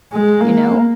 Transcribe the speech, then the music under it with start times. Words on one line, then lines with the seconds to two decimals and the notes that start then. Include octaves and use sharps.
you know?
0.13 G#3
0.41 A#3